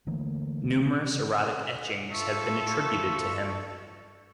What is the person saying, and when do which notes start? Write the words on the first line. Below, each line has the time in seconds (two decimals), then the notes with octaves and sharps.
Numerous erotic etchings have been attributed to him.
0.07 D3 E3 A3 A#3
2.12 F3 F4 A4 E5 C#6